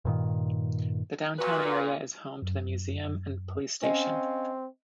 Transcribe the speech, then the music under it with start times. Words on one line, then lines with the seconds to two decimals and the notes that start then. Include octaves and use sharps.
The downtown area is home to the museum and police station.
0.05 G2 A#2 D#3
1.39 A#2 F#4 B4
2.42 F#2
3.82 C4 C#4 D#5 F5